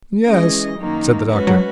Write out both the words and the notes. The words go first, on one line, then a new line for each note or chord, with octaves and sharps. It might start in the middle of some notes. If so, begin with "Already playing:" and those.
"Yes," said the doctor.
E3 G#3 C#4 G#4 D#5
F#2 D#3 F#3 A#3 D#4
G#3 C#4 F#4 B4
F#3